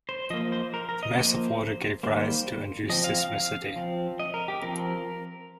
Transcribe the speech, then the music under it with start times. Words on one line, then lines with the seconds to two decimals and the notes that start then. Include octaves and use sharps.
The mass of water gave rise to induced seismicity.
0.09 C5
0.30 F3 A#3 D#5
0.52 C5
0.74 A#4
0.89 A#4
1.03 D#5
1.17 F3 A#3 C5
2.03 D#3 G3 A#3 C5
2.90 F3 C4 D#5
3.04 F5
3.18 F5
3.33 F5
3.76 F3 C4
4.19 D#5
4.34 A#4
4.48 G4
4.62 F3 C4 A#4